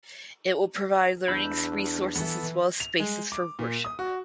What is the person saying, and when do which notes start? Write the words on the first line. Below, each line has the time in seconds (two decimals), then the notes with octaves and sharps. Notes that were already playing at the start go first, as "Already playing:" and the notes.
It will provide learning resources as well as spaces for worship.
1.28 E2 D4 B5 E6 G6
2.16 E3 B3 A4
2.80 F7
3.00 G#3
3.32 D6
3.59 A#2
3.85 D#6
3.99 F#4